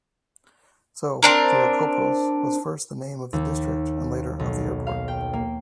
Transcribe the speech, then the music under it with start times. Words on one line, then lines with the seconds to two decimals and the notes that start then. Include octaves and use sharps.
So "Viracopos" was first the name of the district and later of the airport.
1.22 C4 D4 A#4
3.33 D#2
4.39 B1
4.87 F5
5.08 G5
5.33 A#3